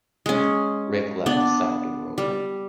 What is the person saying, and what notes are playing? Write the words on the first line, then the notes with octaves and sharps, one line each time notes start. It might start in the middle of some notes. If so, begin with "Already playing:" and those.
Rick left a side door open.
G#3 C#4
B3 D4
G3